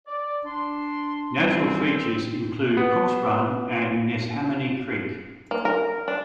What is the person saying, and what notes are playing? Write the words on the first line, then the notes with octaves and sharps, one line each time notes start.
Natural features include Cooks Run and Neshaminy Creek.
D5
D4 C6
E3 G3 C4
B3
A#3
A#4
D4